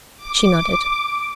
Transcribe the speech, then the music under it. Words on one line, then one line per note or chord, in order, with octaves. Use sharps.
She nodded.
D6